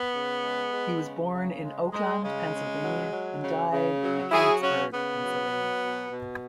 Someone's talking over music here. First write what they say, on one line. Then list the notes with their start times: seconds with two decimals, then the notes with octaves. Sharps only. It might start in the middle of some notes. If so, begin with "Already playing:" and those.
He was born in Oakland, Pennsylvania and died in Mechanicsburg, Pennsylvania.
Already playing: B3
0.13 C#3
0.43 G#3
0.73 G#3
1.03 C#3
1.34 C#3
1.63 G#3
1.92 G#3
2.23 C#3 G#3
2.53 C#3
2.82 F#3
3.12 F#3
3.42 C#3
3.72 C#3
4.02 F#3
4.31 F#3 E4 G#4
4.61 C#3 C#4 F#4
4.91 C#3 B3
5.21 F#3
5.51 F#3
5.80 B2
6.10 B2